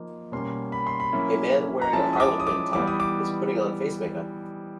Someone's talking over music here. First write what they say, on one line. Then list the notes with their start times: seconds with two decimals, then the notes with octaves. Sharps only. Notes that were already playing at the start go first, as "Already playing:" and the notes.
A man wearing a harlequin top is putting on face makeup.
Already playing: F3 A#3 D#4
0.32 B2 G3 A#3 C#4 C6
0.72 B5
0.87 C6
1.00 B5
1.13 F#3 A#3 C#4 E4
1.82 A#5
1.93 F3 G#3 C#4 E4 A5
2.13 D#6
2.20 D6
2.40 D#6
2.47 D6
2.73 E3 G3 B3 D6
2.87 D#6
3.00 D6